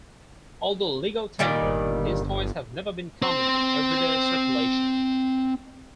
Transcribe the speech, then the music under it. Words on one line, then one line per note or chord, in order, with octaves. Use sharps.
Although legal tender, these coins have never been common in everyday circulation.
A#2 D#3 G3
G1
C4 C5